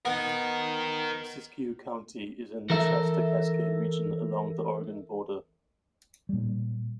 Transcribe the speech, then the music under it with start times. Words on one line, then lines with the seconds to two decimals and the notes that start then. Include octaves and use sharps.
Siskiyou County is in the Shasta Cascade region along the Oregon border.
0.05 B3 A#4 D#5 F#5
2.70 E3 A4 A#4 E5
6.29 A#2 G3